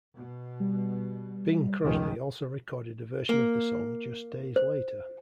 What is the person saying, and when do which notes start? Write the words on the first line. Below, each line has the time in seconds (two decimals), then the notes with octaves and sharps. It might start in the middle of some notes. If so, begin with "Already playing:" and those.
Bing Crosby also recorded a version of the song just days later.
0.15 B2
0.60 G3
1.83 F1 C#2 D#3
3.29 A#3
4.56 C5